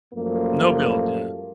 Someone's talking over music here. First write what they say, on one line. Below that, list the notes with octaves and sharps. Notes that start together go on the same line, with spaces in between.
No build, yeah.
F#2 F3 G3 A3 A#3